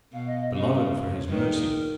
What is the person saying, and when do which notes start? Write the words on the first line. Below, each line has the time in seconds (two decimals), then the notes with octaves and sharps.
Beloved for his mercy!
0.12 B2 F5
0.26 D#5
0.38 D#5
0.52 C#3 F5
0.71 F5
1.11 C#5
1.29 D#3 B4
1.49 G#4
1.69 A#4